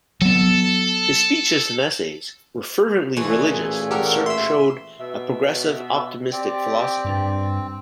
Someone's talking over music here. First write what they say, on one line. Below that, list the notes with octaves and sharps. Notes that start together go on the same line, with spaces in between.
His speeches and essays were fervently religious and showed a progressive, optimistic philosophy.
F#3 B3 A4
A1 A#2 E3 A3 G#4
G4 A4 A#4 F#5
E5 C6 E6
B2 E5
C4 G4 D5
G2